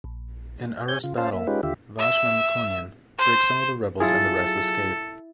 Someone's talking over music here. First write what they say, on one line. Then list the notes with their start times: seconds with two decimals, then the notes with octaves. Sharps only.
In Arest battle Vache Mamikonyan breaks some of the rebels and the rest escape.
0.04 A#1
0.88 C#5 G#5 G6
1.04 C#3 F4
1.18 C#4 F4 C5 F5 A5
1.33 A#3 E5
1.47 G#3 C#4 D#4 F4 G4 B4
1.63 D#2 D3 F4 G4 E5
1.99 E5
3.18 C5
4.00 F#3 E4 F4 G#4 A4 A6